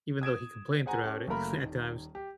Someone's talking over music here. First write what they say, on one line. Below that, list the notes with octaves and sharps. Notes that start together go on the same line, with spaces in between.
even though he complained throughout it at times,
D#6 G#6 D7 E7
G#4 C5 F#5 G#5 A#5
C#4 G4 A4
F#1 F#3 A3 A#3 A#4 B5
D#1 D#3
G4